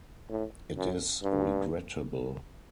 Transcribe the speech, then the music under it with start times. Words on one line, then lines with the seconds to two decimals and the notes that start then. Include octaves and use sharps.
It is regrettable.
0.30 A2
0.77 F#2
1.23 G2